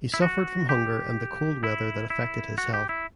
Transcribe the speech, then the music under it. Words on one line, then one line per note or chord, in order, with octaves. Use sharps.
He suffered from hunger and the cold weather that affected his health.
E4
F#4
G4
E4
E4
F#4
G4
E4